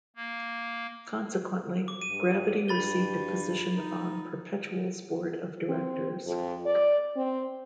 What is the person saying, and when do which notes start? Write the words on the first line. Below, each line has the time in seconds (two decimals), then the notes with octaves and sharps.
Consequently, Gravity received a position on Perpetual's board of directors.
0.16 A#3
1.88 D6
2.02 G2 D#7
2.68 G2 B5 A6 G7
3.73 D#4
5.69 C4
6.26 F2
6.66 D5
7.16 C4